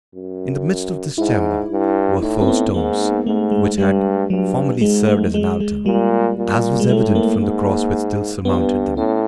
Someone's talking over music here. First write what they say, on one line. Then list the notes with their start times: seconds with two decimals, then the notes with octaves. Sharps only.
In the midst of this chamber were four stones, which had formerly served as an altar, as was evident from the cross which still surmounted them.
0.15 F#2
1.18 G#2 E4
1.70 G2
2.22 A2 D#4
2.41 C4
2.48 B3
2.74 G#2 A#3
3.26 G#2 A3
3.52 G#3
3.78 G2 G3
4.30 G2 F#3
4.81 G#2 G#3
5.08 A3
5.34 G#3
5.60 G#3
5.85 A#2 G3
6.37 A#2
6.80 G#3
6.89 A2 A3
7.15 A#3
7.42 G#2
8.45 G2 B3
8.97 A2 C#4